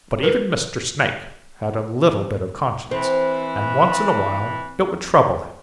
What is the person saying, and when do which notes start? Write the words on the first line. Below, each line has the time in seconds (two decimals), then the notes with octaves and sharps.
But even Mr. Snake had a little bit of conscience, and once in a while it would trouble him.
0.23 A#4 B4
2.91 E3 C4